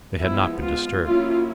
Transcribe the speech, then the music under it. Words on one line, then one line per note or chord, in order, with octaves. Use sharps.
They had not been disturbed.
F3 G#3 B3 E4
F4
F#3 A#3 C#4 E4 F4